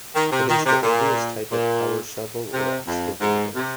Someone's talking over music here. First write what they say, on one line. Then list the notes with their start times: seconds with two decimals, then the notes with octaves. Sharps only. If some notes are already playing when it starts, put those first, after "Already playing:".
It is the earliest type of power shovel or excavator.
0.14 D#3
0.31 C3
0.48 D#3
0.65 C3
0.83 A#2
1.50 A#2
2.53 C3
2.87 F2
3.21 G#2
3.55 C3